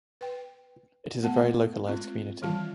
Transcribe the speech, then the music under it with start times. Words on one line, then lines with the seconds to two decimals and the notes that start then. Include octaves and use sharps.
It is a very localised community.
0.21 B4 G5
1.22 A3 B3 F#5 A5
1.87 G#3 C4 F4
2.42 D#3 E3 G3 F4 F5 A5